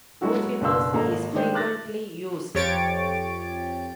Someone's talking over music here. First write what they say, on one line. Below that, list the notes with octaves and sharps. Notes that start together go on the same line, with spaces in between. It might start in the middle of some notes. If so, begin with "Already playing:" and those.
Rufinus is frequently used.
F#3 G#3 E4 F#4 A4
F#1 B2 D4 B4 C6 E6
G#1 G#2 A#3 A4 A#4 A#5
D#3 G#3 A3 D4 G4 C5
D6 F#6 A6 A#6
F2 G4 C#5 A6 D7